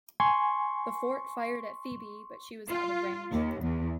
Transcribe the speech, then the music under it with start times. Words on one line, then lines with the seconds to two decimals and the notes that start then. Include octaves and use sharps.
The fort fired at "Phoebe", but she was out of range.
0.20 G#5 C6 C#6
2.68 F4
3.31 D#2
3.61 E2